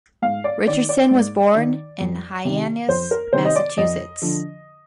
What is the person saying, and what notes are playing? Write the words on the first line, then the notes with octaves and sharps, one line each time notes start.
Richardson was born in Hyannis, Massachusetts.
G#2 F5
D5
D#3 D5
D5
G#2
D#3
F2
C3 D#3
F2 C5
A#4
C3 D#3 C5
D#5
D5
F2 D#5
D3 F3